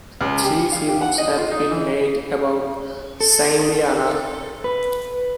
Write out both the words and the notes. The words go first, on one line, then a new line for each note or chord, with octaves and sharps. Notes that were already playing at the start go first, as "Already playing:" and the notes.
Three films have been made about Sangliana.
C#2
G4
F5
G4
F#5
D#5
F4
D#4
E3
A4
B4